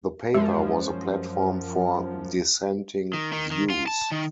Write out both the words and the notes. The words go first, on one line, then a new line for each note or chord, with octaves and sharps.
The paper was a platform for dissenting views.
F#2 F3 G#3
D#3
D#3
D#3
F4
A5
D#3